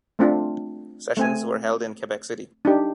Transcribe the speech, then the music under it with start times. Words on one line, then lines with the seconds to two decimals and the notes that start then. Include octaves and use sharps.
Sessions were held in Quebec City.
0.19 A3 C4 D4 F4
1.17 A3 C4 G#5
2.65 D4 D#4 G4